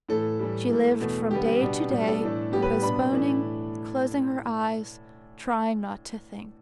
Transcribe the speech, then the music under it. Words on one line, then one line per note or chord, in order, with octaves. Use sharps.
She lived from day to day, postponing, closing her eyes, trying not to think.
A2 E3 A3 A4
A2 E3 G3
A2 E3 A3
E2 B2 A3
D3 G3 B3 G4
G4
B2 B3 D4
B2 G3 D4
A4
A2 E3 A3 D4
A2 G3 B3 G4
B4
B2 B3 D4 B5
A2 E3 A3 D4